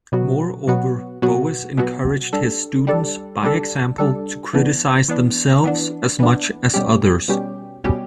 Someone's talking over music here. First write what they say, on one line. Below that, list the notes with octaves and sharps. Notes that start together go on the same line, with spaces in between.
Moreover, Boas encouraged his students, by example, to criticize themselves as much as others.
B2 F#3 B3 F#4
B2 F#3 B3 F#4
B2 F#3 B3 F#4
B2 F#3 B3 F#4
G3 D4 A4
G3 D4 A4
G3 D4 A4
G3 D4 A4
E3 B3 D4
E3 B3 D4
E3 B3 D4
E3 B3 D4
B2 G3 C#4 G4
B2 G3 C#4 G4
B2 G3 C#4 G4